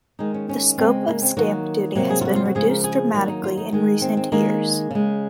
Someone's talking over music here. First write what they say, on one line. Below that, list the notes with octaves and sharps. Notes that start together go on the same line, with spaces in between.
The scope of stamp duty has been reduced dramatically in recent years.
D#3 G#3 D#4
C#4
C#4
C#3 G#3 C4
A#3
C4
D#3 F#3 A#3 F#4
C3 F#3 A#3
G#4
F4
F#4
F4
F#4
C#3 F3 G#3 G#4
A#4
G#4
D#3 F#3 A#3 F#4
D#4
F4
D#4
D#3 G#3
C4
C4
D#3 G#3 A#3
C#3 G#3